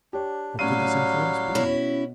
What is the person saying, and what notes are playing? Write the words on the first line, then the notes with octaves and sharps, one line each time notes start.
What could this influence be?
D4 G4 C#5
A2 F#3 G3 C#4 F5 D#7
B2 C#4 E4 F#4